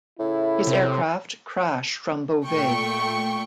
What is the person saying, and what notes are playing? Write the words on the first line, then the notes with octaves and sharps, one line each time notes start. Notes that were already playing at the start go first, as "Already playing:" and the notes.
His aircraft crashed from Beauvais.
A2 C#3 E4
C3
A#2 A3 G5 C#6